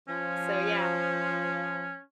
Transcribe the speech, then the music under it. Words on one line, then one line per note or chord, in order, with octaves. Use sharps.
So, yeah.
F3 C#4